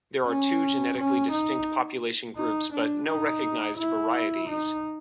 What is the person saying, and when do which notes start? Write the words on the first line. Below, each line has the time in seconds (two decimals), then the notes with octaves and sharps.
There are two genetically distinct population groups, but no recognised varieties.
0.26 C#4
0.97 C#4
1.31 D#4
2.37 D#4
2.73 D4
3.08 D#4
3.77 E4
4.48 D#4